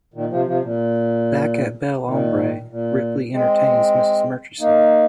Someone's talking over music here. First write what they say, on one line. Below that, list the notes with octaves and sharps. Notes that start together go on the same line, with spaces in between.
Back at Belle Ombre, Ripley entertains Mrs. Murchison.
A#2 D#3
C3 F3
C3 F3
A#2
A#2 D#3
A#2
G#3 C4
A#3 D#4